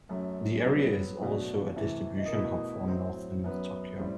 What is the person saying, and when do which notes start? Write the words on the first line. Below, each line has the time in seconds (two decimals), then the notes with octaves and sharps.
The area is also a distribution hub for northern Tokyo.
0.09 F#2 F#3 A3
0.65 G2 F#3 B3
1.21 B2 F#3 A3 D4 F#4
1.76 C3 E3 A3
2.32 B2 A3 E4
2.88 A2 F#3 C4
3.44 F#2 F#3 B3
3.99 A2 G3 C4